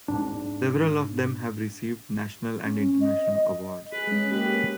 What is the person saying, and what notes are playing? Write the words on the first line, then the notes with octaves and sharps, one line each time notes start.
Several of them have received national and international awards.
G#2 D4
C#4
D#5
G#4 B4
G#3 C#4
A#3 G4 B4